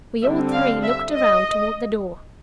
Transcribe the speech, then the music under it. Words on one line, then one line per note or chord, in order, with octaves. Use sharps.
We all three looked around toward the door.
D3 G3 C4 E5
F5
E5
D#5